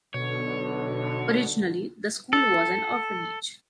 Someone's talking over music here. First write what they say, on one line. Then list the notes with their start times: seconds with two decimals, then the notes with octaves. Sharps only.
Originally, the school was an orphanage.
0.14 B1 B2 D3 C#5
2.33 A4